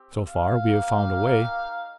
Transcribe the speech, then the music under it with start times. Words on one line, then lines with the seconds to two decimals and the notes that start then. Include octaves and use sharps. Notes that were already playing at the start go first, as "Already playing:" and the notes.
So far we have found a way.
Already playing: C4 G4
0.28 F5
0.66 A#3 D#4 G4